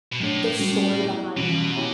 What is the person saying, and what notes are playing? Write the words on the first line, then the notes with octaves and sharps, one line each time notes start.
the story behind that,
B2
A2 F#3 A3 D4 A4 C#5
G3 C#4 F#4
B3 E4 G4
B2 E3 G3 C#4
B3 E4 G4 C#5 E5